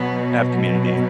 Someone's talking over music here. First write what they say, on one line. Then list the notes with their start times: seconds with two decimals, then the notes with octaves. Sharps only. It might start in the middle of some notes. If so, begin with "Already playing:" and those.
I have community.
Already playing: B2 F#3 B3